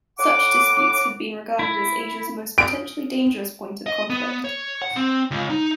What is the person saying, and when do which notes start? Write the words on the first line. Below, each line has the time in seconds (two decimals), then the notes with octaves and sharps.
Such disputes have been regarded as Asia's most potentially dangerous point of conflict.
0.19 A2 F#5 D6
1.59 E4
2.58 D7
3.86 D#5
4.10 B3
4.44 C#5
4.82 F#5
4.96 C4
5.31 C#2
5.50 D#4